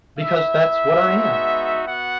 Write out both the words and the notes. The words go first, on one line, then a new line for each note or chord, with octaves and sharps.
Because that's what I am!
A3 E4 E5
G#3 B3 D#4 F#4
B3 F#4 F#5